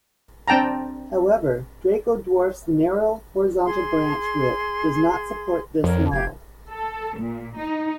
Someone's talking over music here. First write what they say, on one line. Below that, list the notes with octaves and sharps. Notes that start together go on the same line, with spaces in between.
However, Draco Dwarf's narrow horizontal branch width does not support this model.
C4 D4 G5 A5 A#5
G#4 C6
F2 A#4 C#5
F1 G4 F5 G#6
A4
A#2
D#4